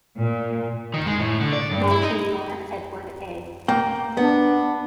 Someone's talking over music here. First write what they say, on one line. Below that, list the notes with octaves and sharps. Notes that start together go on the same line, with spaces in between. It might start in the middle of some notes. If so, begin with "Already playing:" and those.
Monsignor Edward A.
A#2
D#3
G#3
A2
D3
D5
G2
E4
D#4
A#3 G5
B3 D4